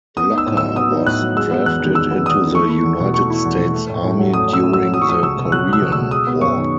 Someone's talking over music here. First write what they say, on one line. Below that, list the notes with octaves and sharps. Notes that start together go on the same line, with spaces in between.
Blocker was drafted into the United States Army during the Korean War.
B3 D#6
D#4
E6
A2
F#3 E6
B3 D#6
D#4
A2 F#6
F#3
G#3 E6
B3
E2 F#6
D#3
G#3 E6
B3
E2 D#6
D#3
A3 C#6
E4
E2
B2
A3 C#6
E4
E2
B2
A3
A2
A2
F#3
A3 D#6
A2
E6
A2
F#3 E6
F#3 D#6
C#6
A3 D#6
C#2 E6
B2
F#3 F#6
A3
E6
C#2
E6
B2
G#3 D#6
B3
F#2 C#6
D#3